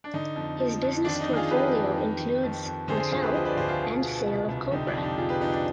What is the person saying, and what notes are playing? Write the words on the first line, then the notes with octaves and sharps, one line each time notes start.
His business portfolio includes hotel and sale of copra.
D4
D3 D#4
F2
F3
F2
D#3 D4
D#4
D#3
F4 G#4
F2 G4 B4
F2
D#3
D#3
F2
F2
D3 G#4 C5
G#4 C5
D2 F4 G#4
G4 B4
F3 C5 D#5
B4 D5
D2 G#4 C5
F4 G#4
B2
B2
C2
C2
D3 D#4 G4
D4 F4
F2
D#4 G4
F3 F4 G#4
G4 B4
F2 D#4
D4